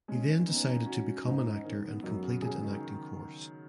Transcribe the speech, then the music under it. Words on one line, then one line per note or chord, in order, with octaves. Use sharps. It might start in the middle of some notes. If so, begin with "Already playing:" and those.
He then decided to become an actor and completed an acting course.
G#3 C#4
B3 D#4
C#4
D#4
C#4 F#4
G#2 D#4
D#3 C#4
B3
F#2 F#3
C#3
C#3 G#4
D#3
D#3